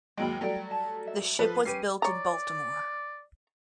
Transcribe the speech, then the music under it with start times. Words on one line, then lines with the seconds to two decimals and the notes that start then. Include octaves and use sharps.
The ship was built in Baltimore.
0.17 D#2 F#3 G#3 G5 B5
0.41 F#3 G3 A3 G5 A#5
0.71 A5
1.07 E5
1.39 F3 A4 B4
1.65 C#4 G4 B4 C7 D#7
2.02 C#5 D5 A#5